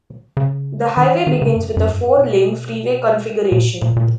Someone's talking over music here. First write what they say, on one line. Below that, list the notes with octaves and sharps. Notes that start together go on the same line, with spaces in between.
The highway begins with a four-lane freeway configuration.
C#3
D#3
E3
D#3
C#3
F#2
F#2
G#2
F#2
B2
A#2
A#2
A#2